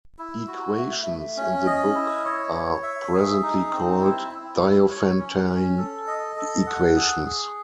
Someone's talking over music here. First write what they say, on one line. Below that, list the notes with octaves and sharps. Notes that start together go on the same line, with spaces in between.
Equations in the book are presently called Diophantine equations.
E4
F#4
A3
A3
C#4
D#5
E4
C#5
C#5
E5
G#4
D#4
C4
E4
E4
E4
C#5
C#4
C#4
A4
D#5
A4
F#5
G#4
G#4